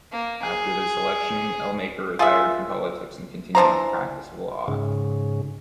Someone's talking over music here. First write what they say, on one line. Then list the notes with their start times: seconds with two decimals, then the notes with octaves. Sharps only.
After this election, Ellmaker retired from politics and continued the practice of law.
0.12 A#3
0.42 G#4
2.19 F4 G#4 E5
3.55 E3 D4 C5 A#5
4.68 G#2 C#3